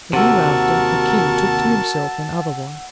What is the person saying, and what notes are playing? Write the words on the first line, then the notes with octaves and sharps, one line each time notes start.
A year after, the King took to himself another wife.
D#2 C3 F#4 A#4 F#5 A5 E6